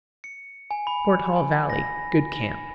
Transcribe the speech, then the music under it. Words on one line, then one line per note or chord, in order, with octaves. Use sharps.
Fort Hall Valley.--Good camp.
C#7
G#5
B5
G#5
A#6